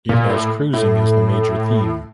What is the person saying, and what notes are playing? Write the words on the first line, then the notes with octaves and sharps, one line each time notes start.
It has cruising as the major theme.
A#2
A2
A2